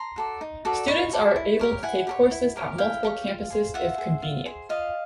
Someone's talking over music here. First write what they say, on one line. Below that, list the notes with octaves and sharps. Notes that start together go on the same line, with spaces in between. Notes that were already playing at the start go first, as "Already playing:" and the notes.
Students are able to take courses at multiple campuses if convenient.
Already playing: A#5 C6
F#4 A4 D5
D#4
F#4 A4 D5
D#4 B5 C#6
F#4 A4 D5
E4
G4 A#4 C#5
E4 F#5 G#5
G4 A#4 C#5
E4
G4 A#4 C#5
E4 F5 G5
G4 A#4 C#5
F4
G#4 C5
F4 E5 F#5
G#4 C5
F4
G#4 C5
F4 D#5 F5